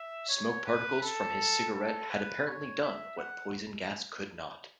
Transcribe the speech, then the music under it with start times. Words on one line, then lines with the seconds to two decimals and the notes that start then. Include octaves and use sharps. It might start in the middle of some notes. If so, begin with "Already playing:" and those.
Smoke particles from his cigarette had apparently done what poison gas could not.
Already playing: E5
0.29 C#5
0.66 B4
1.02 A4
1.74 A4
2.10 B4
2.46 C#5
2.82 E5
3.18 F#5